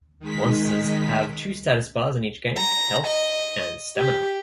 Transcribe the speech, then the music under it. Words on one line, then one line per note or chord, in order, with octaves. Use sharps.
Monsters have two status bars in each game, health and stamina.
D#3 G#3 B6
A#5
D#5
G4